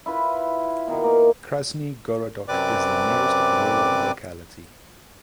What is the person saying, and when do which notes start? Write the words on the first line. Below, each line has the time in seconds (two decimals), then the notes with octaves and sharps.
Krasny Gorodok is the nearest rural locality.
0.06 E4 F4 B4
0.88 B2 D#3
1.04 A#3
2.48 F#2 C3 C4 B4 D5 D6